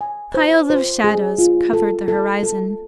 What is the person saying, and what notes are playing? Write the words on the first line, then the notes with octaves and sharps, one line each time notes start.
Piles of shadows covered the horizon.
G#5
C5
C5
G#4
F4
A4
A4
A4